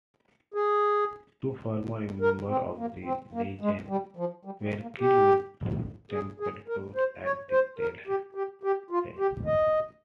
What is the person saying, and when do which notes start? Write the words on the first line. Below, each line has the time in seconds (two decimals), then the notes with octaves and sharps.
Two former members of the Legion were killed with Trumpeldor at Tel Hai.
0.54 G#4
2.21 A#4
2.49 C4
2.78 A#3
3.04 C4
3.33 A#3
3.61 G#3
3.88 G3
4.17 F3
4.45 G3
4.63 G3
4.81 A#3
5.00 G4
6.12 G#4
6.40 G#4
6.68 A#4
6.96 C5
7.24 C#5
7.51 C5
7.79 A#4
8.07 G4
8.35 G4
8.63 G4
8.90 F4
9.19 G4
9.46 D#5